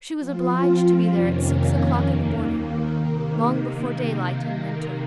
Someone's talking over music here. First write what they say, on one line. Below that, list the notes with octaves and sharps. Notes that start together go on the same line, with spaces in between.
She was obliged to be there at six o'clock in the morning--long before daylight in winter.
F3 C4 F4
F2 C3 D#3 A#3 C#4
D#2 D#3 A#3
C3 D#3 A#3